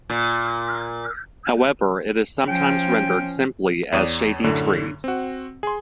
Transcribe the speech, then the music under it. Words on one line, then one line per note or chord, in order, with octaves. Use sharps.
However it is sometimes rendered simply as "shady trees".
A#2
F3 C#4 G5
E2 C#5 D5 D#6 D#7
F#2 A2 D3
C4 F#4
G#4 C6